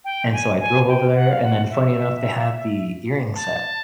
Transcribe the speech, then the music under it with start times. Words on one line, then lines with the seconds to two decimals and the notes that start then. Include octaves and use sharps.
And so, I drove over there, and then funny enough, they had the earring set,
0.04 G5
0.32 G#5
0.60 G#5
0.87 G5
1.14 F#5
1.31 F5
1.42 F#5
1.70 E5
3.35 A5